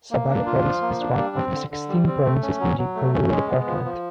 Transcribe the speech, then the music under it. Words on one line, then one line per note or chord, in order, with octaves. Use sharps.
Sabaya Province is one of sixteen provinces in the Oruro Department.
A#3
D4
F4
F3
A#3
D4
G3
C4
D3
D3
G3
C4
A3
C#4
F#3
F#3
A3
C#4
G#3
B3
F3
F3